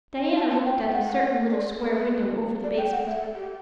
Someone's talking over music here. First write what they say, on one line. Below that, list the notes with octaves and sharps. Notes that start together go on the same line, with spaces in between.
Diana looked at a certain little square window over the basement.
A5
A5
G5
G5
F#5
F#5
D5
A4
B4
D5
G5
F#5
E5
A4
G4